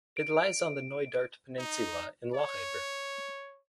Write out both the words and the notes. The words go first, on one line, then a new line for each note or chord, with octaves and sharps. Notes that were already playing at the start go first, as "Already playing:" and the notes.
It lies on the Knoydart peninsula in Lochaber.
D7
D#4
C#5